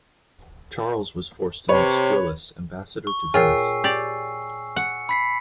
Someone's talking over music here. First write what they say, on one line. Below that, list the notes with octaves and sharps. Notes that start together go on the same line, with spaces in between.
Charles was forced to make Squillace ambassador to Venice.
C3 B4 C#5
C#6
A#2 F4 G#4 C#5 G5 G#5 E6 C7
G4 D5
F#5 C#7
B5 B6 C7